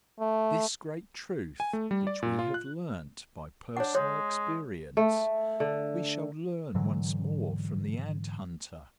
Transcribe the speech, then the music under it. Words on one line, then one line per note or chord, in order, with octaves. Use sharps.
This great truth, which we have learnt by personal experience, we shall learn once more from the Ant-hunter.
A3
G#5
A3
G3
D5
A#2
F4
F#6
D4 C#5 F#5
G#3 C#5
A3
D3
G#2 D3 E3 F#3